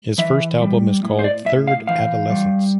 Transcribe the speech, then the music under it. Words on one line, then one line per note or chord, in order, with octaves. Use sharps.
His first album is called Third Adolescence.
E3 E5
G3
A2
C5
D5
A2 E5
F5
E3 F5
G3